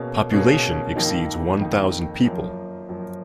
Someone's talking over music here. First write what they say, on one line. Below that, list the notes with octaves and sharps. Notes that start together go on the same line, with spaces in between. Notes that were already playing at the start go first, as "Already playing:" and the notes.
Population exceeds one thousand people.
Already playing: B2 A#3 C#4 G#4
B2 A#3 C#4 G#4
F2 D#3 A#3 D#4
F2 D#3 A#3 D#4
F#2 F3 A#3
F#2 F3 A#3